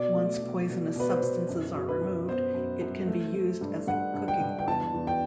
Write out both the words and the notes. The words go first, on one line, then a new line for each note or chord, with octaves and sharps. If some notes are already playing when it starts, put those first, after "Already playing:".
Once poisonous substances are removed, it can be used as a cooking oil.
Already playing: B2 D5
A3
B2
B2
B2 B4
C5
B2
F#2
F#2
B4
F#2
B3 C5
F#2
F#2
A3
A3
G2
G2 F#5
G2
G5
G2
G5
E2 A5
E2
G5